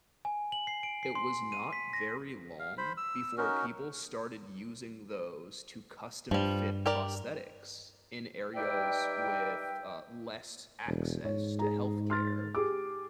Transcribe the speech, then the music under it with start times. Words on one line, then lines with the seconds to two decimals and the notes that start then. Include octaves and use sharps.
it was not very long before people started using those to custom-fit prosthetics in areas with, uh, less access to health care,
0.25 G#5
0.52 F#7
0.67 C7
0.83 D7
1.03 C7
1.15 C6
1.52 D#7
1.73 B6
1.93 A#6
2.59 F5
2.78 C5 B5
2.97 E6
3.37 C#4 D#4 F#4 A#4
6.31 G2 F3 G3
6.86 G4 A#4 D5
8.55 G3 D#4 B4 D5 E5 G5
10.86 E1
11.25 G#2 C#5
11.59 G#4 A#5
12.10 C6 F6 A6
12.55 G4 G#4 D6